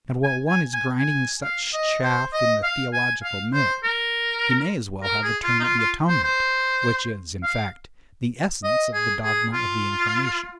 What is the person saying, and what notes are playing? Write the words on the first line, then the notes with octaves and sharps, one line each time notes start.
And while one is grinding such chaff in the theological mill, he may as well have a turn at the Atonement, which is, in fact, the essence of the dogma of the Incarnation.
G#5
G#5
G#5
G#5
F5
D#5
C5
D#5
F5
G#5
F5
C5
A#4
A#4
G#4
F4
D#4
F4
F4
C5
C5
F5
D#5
G#4
G#4
F4